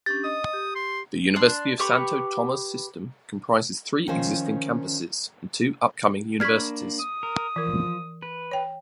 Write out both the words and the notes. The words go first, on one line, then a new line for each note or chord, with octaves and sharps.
The University of Santo Tomas System comprises three existing campuses and two upcoming universities.
C#4 D4 G4 A6
D#5 D#6
G4
C6
D4 C6
G4 B4 C#6
D#3 F3 C#4 C5
A#3 D4 D5 B5 C#6 F6 G#6 B6
D#6
A#4
E3 F3 A#4
B4
C#5 G5